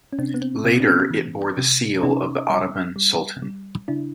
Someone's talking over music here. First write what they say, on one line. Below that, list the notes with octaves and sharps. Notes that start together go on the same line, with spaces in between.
Later, it bore the seal of the Ottoman sultan.
C#4
C3 C4 D4
B3
C4
C3 C4
D4
B3 C#4
E3
C3
C3 C#4 D#4
G3
G3
G3
C#3 D4 E4